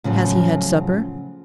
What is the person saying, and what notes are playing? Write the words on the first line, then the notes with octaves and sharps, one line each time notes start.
Has he had supper?'
A2 C#3 F3 F#3